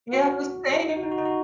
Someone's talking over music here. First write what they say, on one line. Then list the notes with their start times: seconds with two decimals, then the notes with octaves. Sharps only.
Yeah, the same.
0.13 F#4
0.88 D#4
0.96 F#4
1.03 D#4
1.11 F#4
1.18 D#4
1.25 F#4